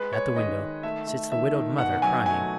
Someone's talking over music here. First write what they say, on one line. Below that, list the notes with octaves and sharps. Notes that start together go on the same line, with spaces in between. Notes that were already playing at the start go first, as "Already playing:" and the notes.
At the window sits the widowed mother crying.
Already playing: G#3 B4
G#3 C#5
D#3 D#5
D#3
A3 E5
A3
D#3 E5
D#3
B2 F#5
F#3 G#5
A3 G#5